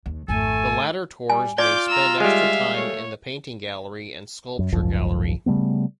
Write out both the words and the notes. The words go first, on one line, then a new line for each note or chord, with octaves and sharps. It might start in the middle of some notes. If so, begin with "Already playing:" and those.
The latter tours may spend extra time in the Painting Gallery and Sculpture Gallery.
D#2
G#1 F2 A3 A4 G#5
G3 G#5
F4 D5 D6 G6
A#5 E6
G3 G#3 E5 F5
A3 C#5
F#2
G#1 C#2 F#2 F3
C#3 G3 A3 B3